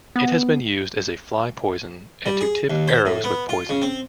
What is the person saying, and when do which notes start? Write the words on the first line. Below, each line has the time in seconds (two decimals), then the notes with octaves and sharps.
It has been used as a fly poison and to tip arrows with poison.
0.16 B3
2.26 G3
2.41 G#4
2.70 D#2
2.88 C5
3.06 A2
3.24 B3
3.49 F4
3.69 C#3
3.82 C4